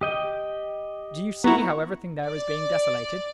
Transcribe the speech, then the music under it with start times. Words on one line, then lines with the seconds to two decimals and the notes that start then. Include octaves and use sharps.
Do you see how everything there is being desolated!
0.01 G4 D#5 G5
1.44 B3 E4 F#5 A#5 C#6
2.25 D5